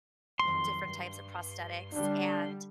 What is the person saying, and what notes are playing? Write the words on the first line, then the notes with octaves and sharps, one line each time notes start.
different types of prosthetics and,
F2 D#3 F#3 C6
G2
D3 G3 D4